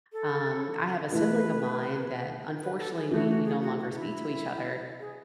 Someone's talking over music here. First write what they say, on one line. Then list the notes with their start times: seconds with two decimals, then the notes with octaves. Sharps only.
Um, I have a sibling of mine that, unfortunately, we we no longer speak to each other,
0.13 A4
1.12 E3 A3 E4 B4
2.62 B4
2.79 A4
2.95 G#4
3.11 E3 A3 E4 F#4
3.28 F#4
3.45 G#4
3.61 F#4
3.78 F#4
3.95 E4
5.00 G#4